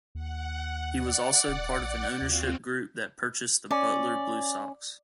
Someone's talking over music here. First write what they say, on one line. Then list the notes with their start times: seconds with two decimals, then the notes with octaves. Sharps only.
He also was part of an ownership group that purchased the Butler BlueSox.
0.15 D#2 F#5
0.95 D5 F#5
1.48 D#1
1.80 A#1
2.22 D#2 C4 F4 F#4
3.71 C#4 D5